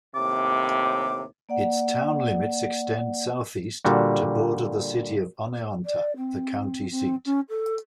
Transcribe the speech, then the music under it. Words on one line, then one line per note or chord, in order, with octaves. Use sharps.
Its town limits extend southeast to border the city of Oneonta, the county seat.
D#2 A2 C3 D6
A#3 D5 F#5
A#2 D3 G3 F#4
D5
C4
C4
C#4
A4